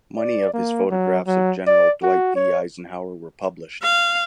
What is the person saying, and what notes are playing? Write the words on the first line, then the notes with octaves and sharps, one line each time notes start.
Many of his photographs of General Dwight D. Eisenhower were published.
D5
A#3
F#3
F#3
D5
F#4
C#5
F5